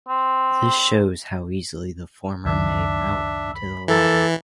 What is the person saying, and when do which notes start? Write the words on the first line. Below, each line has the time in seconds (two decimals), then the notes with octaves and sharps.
This shows how easily the former may melt into the latter.
0.09 C4
2.45 C#2 F#2 D#3 D4 E5
3.55 B5
3.88 E3 A#3 A4